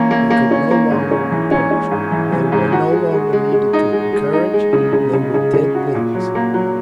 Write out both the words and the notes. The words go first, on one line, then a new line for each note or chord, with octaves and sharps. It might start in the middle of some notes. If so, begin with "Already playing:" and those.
They could no longer reproach, they were no longer needed to encourage, they were dead things.
Already playing: E3 A#3 C#4
A#3
A#3
C#4
A#3
G#2
C#4
E3
C#4
C#4
G#2
E3
E3
G#2
F#4
G#3
G#3
G#3
G#3
D#4
G#3
G#3
D#4
G#3
C#3
C#3
C#3
C#3
C#3
F#4
A#2
F#3
A#3
F#3